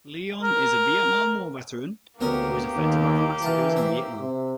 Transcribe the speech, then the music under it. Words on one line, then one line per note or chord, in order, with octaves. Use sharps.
Leon is a Vietnam War veteran who is affected by the massacres in Vietnam.
A#4
D2 A#3 B3 C#4 G4 A#4
D#2
E3 F4 A5
C5 E5
C3